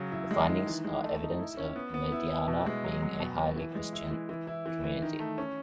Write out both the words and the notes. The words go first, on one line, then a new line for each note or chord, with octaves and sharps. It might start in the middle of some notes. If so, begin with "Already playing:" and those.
The findings are evidence of Mediana being a highly Christian community.
Already playing: C#3 F#3
E4
G#3
D#3
E3
G#3
A3
D#4
E4
C#4
B3
B3
E4
E4
B2
G#3
F#3
F#3
B2
B2
E3
G#3
E4
E3
E3
E4
E3
E3
D#3
A3
C#4